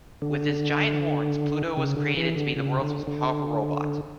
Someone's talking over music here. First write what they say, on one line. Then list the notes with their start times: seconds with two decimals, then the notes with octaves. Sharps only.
With his giant horns, Pluto was created to be the world's most powerful robot.
0.22 D3
1.77 C#3
1.97 D3
2.17 E3
2.36 D3
2.56 C#3
2.82 D3
3.07 D3